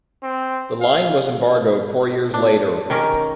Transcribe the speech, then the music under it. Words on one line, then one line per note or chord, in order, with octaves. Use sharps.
The line was embargoed four years later.
C4
F5
D4
D#3 C#4 G4 A#4